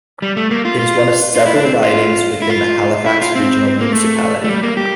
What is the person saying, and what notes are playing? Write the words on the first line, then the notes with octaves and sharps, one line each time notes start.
It is one of several ridings within the Halifax Regional Municipality.
G3
A3
A#3
F4
F4
F4
E4
D4
C4
F4
E4
F4
E4
F4
C4
A#3
A3
A3
G3
A#3
G4